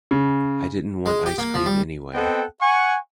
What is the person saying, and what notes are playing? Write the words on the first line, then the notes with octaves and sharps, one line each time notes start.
I didn't want ice cream anyway.
C#3
G#3
G4
A#3
F3
G3
B3 C4 A4 D#5 F#5 G5
F#5 G#5 C#6